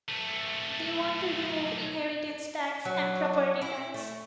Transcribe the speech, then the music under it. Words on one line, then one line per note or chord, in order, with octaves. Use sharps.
They want to remove inheritance tax and property tax.
B1 A3
F#3
E4
A3